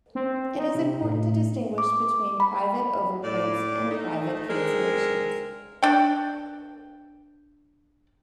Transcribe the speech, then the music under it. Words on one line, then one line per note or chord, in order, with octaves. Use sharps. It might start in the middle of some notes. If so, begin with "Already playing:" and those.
It is important to distinguish between private overprints and private cancellations.
C4
D#4
C3
A2
D6
B5
A2 D5
A3 D#4
G#3 C4 D4 A#4
D4 G5